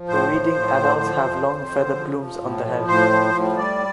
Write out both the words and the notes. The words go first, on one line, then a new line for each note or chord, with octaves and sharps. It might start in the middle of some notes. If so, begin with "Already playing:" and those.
Breeding adults have long feather plumes on the head.
Already playing: F3
A2 C5
F3
A2
D3
F3
F2
F2
D3
F3
F3
A2
F3
A2 C5
F3
A2
G3 D5